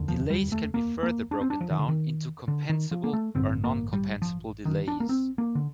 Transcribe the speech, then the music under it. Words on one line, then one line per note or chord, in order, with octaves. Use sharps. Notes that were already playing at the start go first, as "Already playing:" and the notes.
Delays can be further broken down into compensable or non-compensable delays.
Already playing: F1 D#2 D3
F3
G3
A3
A#3
A#3
D4
C4
D4
F3
D#3
D3
D#3
D3
D#3
F3
A#3
A3
A1 G2 D3 C4
A#3
G3
F3
D#3
D4
A#3
C4
A#3
D3